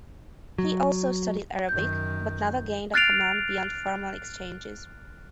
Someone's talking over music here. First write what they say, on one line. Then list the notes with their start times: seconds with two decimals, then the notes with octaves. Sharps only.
He also studied Arabic but never gained a command beyond formal exchanges.
0.58 F#3
1.69 F#2 D#3 G6
2.94 F6 F#6 A6 C7 D7 F7